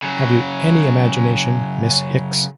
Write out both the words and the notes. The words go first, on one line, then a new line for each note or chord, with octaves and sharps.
Have you any imagination, Miss Hicks?
C#3 F#3